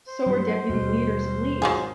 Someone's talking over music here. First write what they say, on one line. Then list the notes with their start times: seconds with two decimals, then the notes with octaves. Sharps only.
So are deputy leaders of leagues.
0.07 C5
0.26 G2 F#3 G3
0.47 F#5
0.69 D#2 B2 G3
1.62 G#1 F#3 F4 G#4 D#6 E7